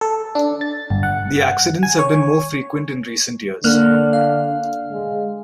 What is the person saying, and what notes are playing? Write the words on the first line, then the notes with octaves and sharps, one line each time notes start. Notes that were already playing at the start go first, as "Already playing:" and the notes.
The accidents have been more frequent in recent years.
A4
D4
A6
G1
F#5
G#5
C#5
D3 A#3 F6 F#6
F5
G#3